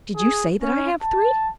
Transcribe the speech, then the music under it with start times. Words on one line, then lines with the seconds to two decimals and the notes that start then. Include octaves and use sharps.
"Did you say that I have three?"
0.16 G#4
0.62 C#4
1.02 A5